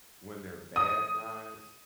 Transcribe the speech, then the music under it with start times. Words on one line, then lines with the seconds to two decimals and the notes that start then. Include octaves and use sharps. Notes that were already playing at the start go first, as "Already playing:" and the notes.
when they're bad guys,
0.76 D#6